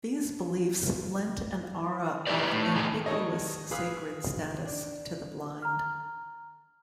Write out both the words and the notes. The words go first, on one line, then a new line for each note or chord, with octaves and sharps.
These beliefs lent an aura of "ambiguous sacred status" to the blind.
D#4 G4 A4 B4 D5
A2
D#3 E3 D#4 G#4
D#3 G3 A4 C#5 D#5
G#4 B4 F5 D#6
D4
A#5 F6